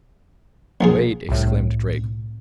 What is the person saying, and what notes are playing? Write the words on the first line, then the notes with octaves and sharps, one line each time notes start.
"Wait!" exclaimed Drake.
A#1 F3 G#4
C2 A2